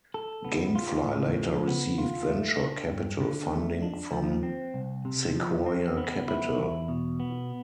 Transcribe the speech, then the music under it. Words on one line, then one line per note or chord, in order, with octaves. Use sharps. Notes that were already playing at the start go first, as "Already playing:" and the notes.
GameFly later received venture capital funding from Sequoia Capital.
A4
B3
F4
A2
F3
B3
F4
A3
D4
G2
D3
A3
D4
F3
C4
C2
C3
F3
C4
B3
E4
E2
B2
B3